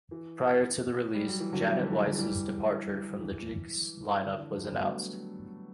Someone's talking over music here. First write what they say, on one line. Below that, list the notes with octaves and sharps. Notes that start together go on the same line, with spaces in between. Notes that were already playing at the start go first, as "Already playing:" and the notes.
Prior to the release, Janet Weiss' departure from the Jicks lineup was announced.
E3
G3
F#3
E3
D3 F#3
E3 G3
D3 F#3
E3 G3
D3 F#3
E3 G3
F#3
E3
D3
E3
D3 F#3
E3 G3
B3
F#3 A3